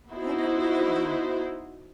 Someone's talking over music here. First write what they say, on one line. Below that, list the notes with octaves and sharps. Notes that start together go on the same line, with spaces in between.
I don't believe you!
B3 D#4 E4 F#4 C5